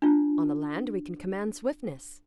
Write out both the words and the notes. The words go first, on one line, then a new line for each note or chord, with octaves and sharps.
On the land we can command swiftness.
D4 F4